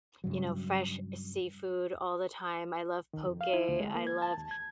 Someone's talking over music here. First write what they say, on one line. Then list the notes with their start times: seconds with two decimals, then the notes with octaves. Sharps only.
you know, fresh seafood all the time. I love poke, I love,
0.24 G2 C#3 F#3
3.13 D#3
3.26 F2
3.41 F5
3.53 E4
3.69 D2
3.80 G#3
3.95 A#3
4.07 G#6
4.22 A5
4.37 D#2
4.51 G#6